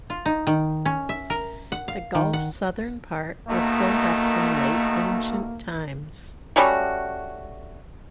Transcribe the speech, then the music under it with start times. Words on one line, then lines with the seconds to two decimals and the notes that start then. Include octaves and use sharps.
The gulf's southern part was filled up in late ancient times.
0.10 F4
0.26 D#4
0.47 D#3
0.86 C#4
1.09 E5
1.30 A#4
1.72 F#5
1.88 F5
2.15 D#3
2.33 F#5
3.48 B2 D#3 A3 A#3
6.56 G3 A3 C#4 F#4